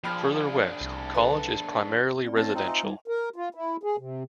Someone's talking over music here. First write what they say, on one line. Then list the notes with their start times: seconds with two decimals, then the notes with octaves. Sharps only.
Further west, College is primarily residential.
0.04 F3 D4 G#4 G5 B5 F6
0.81 C2
1.14 A4 B4
2.24 C4 D5
2.36 A3 C4 C#4 A5 A#6
2.55 C4 D#4 F4 G5
2.67 E5 G#5 C6
2.83 G3 D#4
3.08 A#4
3.36 F4
3.55 E4
3.83 G#4
3.98 C3